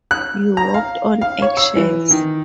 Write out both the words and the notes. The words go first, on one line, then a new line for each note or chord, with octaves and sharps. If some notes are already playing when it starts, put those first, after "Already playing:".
You walked on eggshells.
F#6
A#5
F5
F5
C#5
E6
E3
D#3